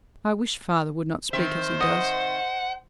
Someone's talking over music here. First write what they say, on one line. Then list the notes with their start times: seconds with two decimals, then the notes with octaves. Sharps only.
'I wish father would not speak as he does.
1.33 D#3 C4 C5 E5
1.81 D#5 F#5